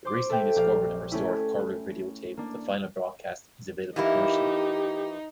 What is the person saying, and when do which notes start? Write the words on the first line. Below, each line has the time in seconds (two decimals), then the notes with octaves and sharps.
The recently discovered and restored color videotape of the final broadcast is available commercially.
0.05 C5 C6 D6
0.30 A4 B4 E5 G5
0.56 A#1 G4 D5 F5
1.12 A3 C#4 E4
2.37 A#3 D4
3.96 E3 A#3 D#4 E4 G4